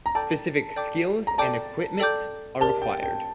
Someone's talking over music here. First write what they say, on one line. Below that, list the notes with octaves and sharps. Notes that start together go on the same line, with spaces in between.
Specific skills and equipment are required.
A#5
A4 D5 G5 A5 D6 G6
A4 D5 G5 D6 G6
A#5
A4 D5 G5 A5 D6 G6
A4 D5 G5 D6 G6
G4 A#4 D5 A5
G5
G5